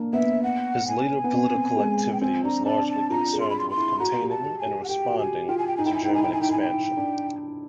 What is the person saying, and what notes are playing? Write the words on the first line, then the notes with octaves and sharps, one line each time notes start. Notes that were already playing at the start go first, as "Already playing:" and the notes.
His later political activity was largely concerned with containing and responding to German expansion.
Already playing: A#3 D4
B3 E5
F#5
G#5
B3
C4
C4
G#3
G5
C4 G#5
D4 A#5
D4 A5
A5
F4 A#5
G#4
C6
B5
C6
C6
E4
F#4 A#5
G4
A5
G4
G#5
G4
F#5
G4 G5
F#4
G4 G#5
F4 G5
G#5
G5
D#4 G#5
E4 G5
D#4 G#5
E4 G5
D#4
E4 G#5
D#4 G5
E4 G#5
D#4 G5
E4
D#4 G#5
G5
D#4
D4